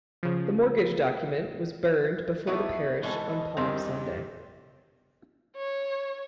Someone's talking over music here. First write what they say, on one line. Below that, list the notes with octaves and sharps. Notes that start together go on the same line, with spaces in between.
The mortgage document was burned before the Parish on Palm Sunday.
C#3 F3
G3 A3 B3 D#4 E4 E5
G#2 B2 E3 A4 D#5
E2 G2 D#3 C4 G4
C#5